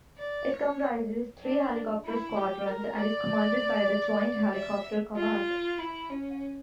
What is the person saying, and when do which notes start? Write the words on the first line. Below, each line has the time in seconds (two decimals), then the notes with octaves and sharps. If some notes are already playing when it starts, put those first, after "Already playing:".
It comprises three helicopter squadrons and is commanded by the Joint Helicopter Command.
0.18 D5
0.51 C#5
1.43 D4
2.05 E4
2.37 G4
2.68 A#4
2.98 D5
4.54 E5
5.16 F4
5.79 E4
6.09 C#4